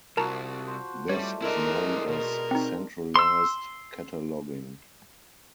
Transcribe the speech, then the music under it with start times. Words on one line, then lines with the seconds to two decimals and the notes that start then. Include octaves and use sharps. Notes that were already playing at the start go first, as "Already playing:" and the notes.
This is known as centralized cataloging.
0.17 C2 F3 F#4 A#4 A5 A#5
0.67 C5
1.09 E3 G3 A3 C#5 D5
1.42 D3 G#3 E4 A#4 D5
2.07 B2 A#4
2.51 C4 D#4
3.16 C6 E6